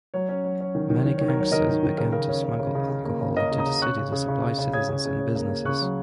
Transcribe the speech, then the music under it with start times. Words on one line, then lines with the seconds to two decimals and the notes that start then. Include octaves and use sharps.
Many gangsters began to smuggle alcohol into the city to supply citizens and businesses.
0.14 F#3 C#5
0.29 C#4
0.45 F#3
0.60 C#4
0.75 D#3
0.90 D#3
1.06 D#3 C#5
1.18 D#3 C#5
1.28 A#4
1.36 F#3 C#5
1.51 D#3 A#4 D#5
1.68 D#3
1.83 D#3
1.98 C#3 A#4
2.12 C#3 A#4
2.29 C#4
2.44 C#4 C#5
2.59 C#3
2.75 C#3
2.89 C#3
3.05 A#3
3.21 C#3
3.36 C#4 A#4 D#5
3.51 C#3
3.58 A#5 D#6
3.66 C#3
3.82 C#4 C#6 F#6
3.97 C#3
4.12 C#3
4.28 C#3
4.44 C#3
4.58 C#3
4.73 C#4 D#6 G#6
4.89 C#3
5.05 C#3
5.20 C#4
5.36 A#3
5.51 C#4
5.65 C#3 C#6 F#6
5.81 F#3